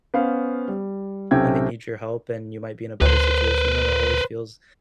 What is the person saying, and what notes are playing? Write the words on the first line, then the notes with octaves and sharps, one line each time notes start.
When they need your help and you might be in a better situation than them, it always feels
B3 C#4 C5 F5
G3
B1 C3 C#4 A4 G5 G#6
D2 B4 C5